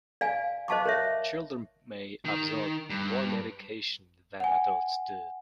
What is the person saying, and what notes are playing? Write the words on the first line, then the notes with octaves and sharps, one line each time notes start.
Children may absorb more medication than adults do.
D5 F5 G#5
C5 D#5 F5 A5 C#6 D6
A#4 C#5 E5
D#3
G2
F#5 G#5